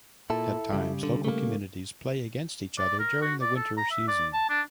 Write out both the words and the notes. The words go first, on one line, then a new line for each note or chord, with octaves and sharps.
At times, local communities play against each other during the winter season.
A#2 E4 A4
C#3 G3
D3
A3 A#3
D5
A#4
F#4
D5
A4
A#5
E5
D5
A5
D4